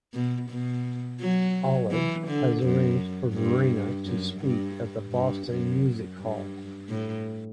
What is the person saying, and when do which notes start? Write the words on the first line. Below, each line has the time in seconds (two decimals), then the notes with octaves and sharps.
Olive has arranged for Verena to speak at the Boston Music Hall.
0.13 B2
0.49 B2
1.21 F#3
1.91 E3
2.27 D3
2.63 F#2
3.34 G2
4.05 F#2
4.41 G2
5.12 G2
5.47 F#2
6.18 G2
6.89 A2